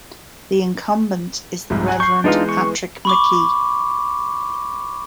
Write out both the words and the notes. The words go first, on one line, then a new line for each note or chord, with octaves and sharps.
The incumbent is The Reverend Patrick McKee.
C2 G#2
F#3 G#5 F#6
C#6 G6 C7
E3 G#3 B3 D4 D#4 F4
C#6
B5 C#6 D6